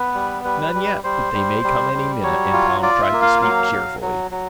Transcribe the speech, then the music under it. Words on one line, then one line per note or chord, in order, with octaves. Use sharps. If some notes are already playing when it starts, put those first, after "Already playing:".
"None yet, but they may come any minute," and Tom tried to speak cheerfully.
Already playing: B3 B4
G3
G3 B4
G3
G3 C5
G3
G3
G3
F#3 C#5
F4
F4 D5
E5
A#3
F5
F#3 F5
F#3
F#3
F#3